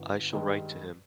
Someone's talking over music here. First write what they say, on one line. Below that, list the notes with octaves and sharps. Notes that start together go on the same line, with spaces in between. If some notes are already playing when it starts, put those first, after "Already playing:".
I shall write to him.
Already playing: G1
G2 D#3 G#3